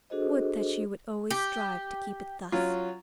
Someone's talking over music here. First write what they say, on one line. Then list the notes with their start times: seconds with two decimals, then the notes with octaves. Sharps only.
Would that she would always strive to keep it thus.
0.10 D4 F#4 G#4 A4 C5 D#5
1.30 G4
2.52 F#3 C#4 F4